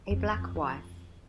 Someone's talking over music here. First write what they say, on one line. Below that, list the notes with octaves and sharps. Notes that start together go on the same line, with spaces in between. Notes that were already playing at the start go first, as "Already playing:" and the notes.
A black wife.
F2
F2
F2